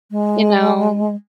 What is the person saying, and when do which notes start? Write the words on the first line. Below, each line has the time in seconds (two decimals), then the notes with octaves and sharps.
you know
0.11 G#3